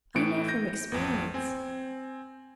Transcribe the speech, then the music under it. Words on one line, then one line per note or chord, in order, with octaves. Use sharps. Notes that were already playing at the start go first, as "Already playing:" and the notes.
"I know from experience."
A2 E3 A3 C#7 D7
G6 A#6
A1 F2
C4 G#5